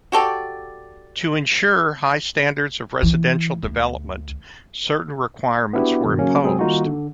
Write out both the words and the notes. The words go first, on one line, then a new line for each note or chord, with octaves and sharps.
To ensure high standards of residential development, certain requirements were imposed.
F#4 G4 A4 D5
E3
D2
B3 D4 E4 F#4 G4
G2 B2 D#3
C#3 F#3 A#3 C#4
C3 F#3 G#3 C4 G#4
D#3 G3 A#3 D#4 F4 F#4
D3